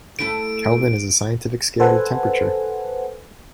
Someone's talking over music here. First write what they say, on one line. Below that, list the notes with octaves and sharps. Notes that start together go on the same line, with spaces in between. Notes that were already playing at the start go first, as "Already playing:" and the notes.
Kelvin is a scientific scale of temperature.
A3 E4 A4 D7
A4 B4 C5 F#5 G#5